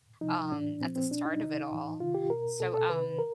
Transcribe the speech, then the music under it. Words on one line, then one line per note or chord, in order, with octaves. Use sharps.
um, at the start of it all. So, um
C3 F3 D#4
A2 E3 D4
A#2 F3 C4
C4
B2 D4
D#4
C3 D#3 D#4
A2 E3
C3 D#3 F4
G4
B2 A#4
B2 A4
A4
C3 D#3 B4
A#4